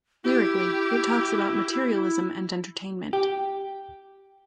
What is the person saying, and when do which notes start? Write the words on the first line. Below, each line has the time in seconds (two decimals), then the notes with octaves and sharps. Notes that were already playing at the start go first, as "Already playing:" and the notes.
Lyrically, it talks about materialism and entertainment.
0.24 E4 G4
3.13 G4